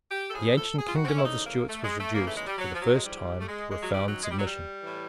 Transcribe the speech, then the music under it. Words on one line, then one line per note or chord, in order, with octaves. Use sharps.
The ancient kingdom of the Stuarts was reduced, for the first time, to profound submission.
G4
A4
A2 F3 G#4
A4
G#4
F4
F#4
C4
C#4
E4
D2 C#3 E3 D#4
A#3
A3
G#3
A3
D#2 C#3 E3 A#3
A3
G#3
G3
F#3
F3
F#3
G#3
G#2 F3 G3
A3
G#3
G#3
F#3
F#2 D#3 G3
F#3
G#3
G3
F#3
G3
A2 E3